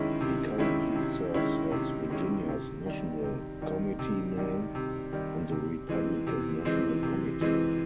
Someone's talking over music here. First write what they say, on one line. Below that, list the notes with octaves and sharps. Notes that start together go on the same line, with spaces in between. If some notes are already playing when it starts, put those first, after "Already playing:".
He currently serves as Virginia's national committeeman on the Republican National Committee.
Already playing: C3 D#3 G#3 C#4 E4
C3
D#3 G#3 C#4 E4
C3
D#3 G#3 C#4 E4
C3
D#3 G#3 C#4 E4
C3
D#3 G3
C3
D#3 G3
C3
D#3 G3
C3
D#3 G3
C3
E3 G#3 C4
C3
E3 G#3 C4
C3
E3 G#3 C4